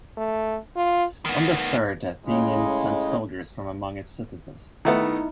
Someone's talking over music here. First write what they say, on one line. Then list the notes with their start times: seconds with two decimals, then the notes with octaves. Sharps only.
On the third, the Athenians sent soldiers from among its citizens.
0.17 A3
0.76 F4
1.25 D#3 B3
2.25 A2 C#3 G#3
4.85 D#3 A3 B3 D#4 E4